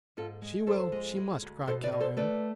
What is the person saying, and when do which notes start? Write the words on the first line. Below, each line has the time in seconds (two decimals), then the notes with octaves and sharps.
"She will, she must," cried Calhoun.
0.17 G#2 F4 A4
0.42 G#3
0.66 F2 A4 C5
0.92 G#3
1.17 G#3
1.42 D2
1.67 B2 A4 C5
1.84 B4 D5
1.92 B2
2.00 A4 C5
2.17 A3 B4 D5